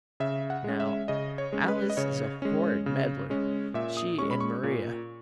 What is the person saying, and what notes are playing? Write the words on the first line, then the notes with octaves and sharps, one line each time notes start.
Now Alice is a horrid meddler--she and Maria.
C#3 E5
F#5
G#3 C#4
E5
C#3 D#5
C#5
G#3 C#4
B4
D#5
C#3 C#5
G#3 C#4
C#3
G#3 C#4
A#2 E5
D#6
G#3 C#4 C#6
B5
C#6
A#2